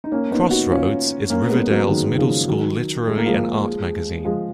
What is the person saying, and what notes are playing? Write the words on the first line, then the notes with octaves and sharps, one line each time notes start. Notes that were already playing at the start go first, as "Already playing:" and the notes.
"Crossroads" is Riverdale's Middle School Literary and Art Magazine.
D#4
A#3 C#4
B3 D#4
D#4 F#4
C#4 F4
A#3 C#4
G#3 B3
B3
F#3 A#3
D#3 F#3
D#3
C#3 F3
D#3 F#3
G#3
A#3
F3 G#3
F3 G#3